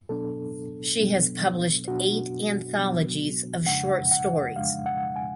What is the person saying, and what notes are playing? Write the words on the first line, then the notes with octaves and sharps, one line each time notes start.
She has published eight anthologies of short stories.
B2 F#3 B3 D4 A4
B2 F#3 B3 D4
B2 F#3 B3 D4 F#4
B2 F#3 B3 D4
F2 C#3 F3 G#3 D4 F#5
F#5
F2 C#3 F3 G#3 D4 F5
F#5
G#5